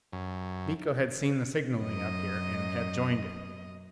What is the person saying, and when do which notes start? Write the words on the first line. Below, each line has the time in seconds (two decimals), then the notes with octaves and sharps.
Miko had seen the signaling up here and had joined it!
0.13 F#2
1.82 F#2 D#5